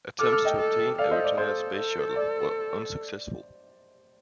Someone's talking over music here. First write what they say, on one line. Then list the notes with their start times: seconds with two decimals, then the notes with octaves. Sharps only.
Attempts to obtain a retired Space Shuttle were unsuccessful.
0.19 A4 D6 F6
0.32 D6 F6
0.45 D#5 G5
0.58 A4
0.98 A4 D5 F5
1.11 C5 D#5
1.24 D5
1.37 A4 C5
1.76 A4
2.16 D5